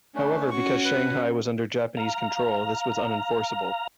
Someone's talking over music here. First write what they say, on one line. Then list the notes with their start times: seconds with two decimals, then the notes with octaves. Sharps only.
However, because Shanghai was under Japanese control, this was unenforceable.
0.15 A3 C#4 D4
0.51 C#4 F#4 C#6
0.85 B4
1.97 F5 A#5